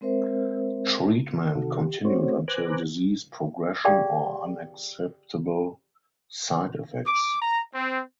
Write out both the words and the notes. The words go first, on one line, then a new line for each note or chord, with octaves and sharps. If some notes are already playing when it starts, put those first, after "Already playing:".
Treatment continued until disease progression or unacceptable side effects.
G#3 C4 A#4 C5 E5
C3 D#3 F#4 A4
G4
A3 C4 F#4 C5 C#5
B4 C5 G#5 A#5 D6 F#6
G4 G#4 D5 F5 G5
D6
A#5
C4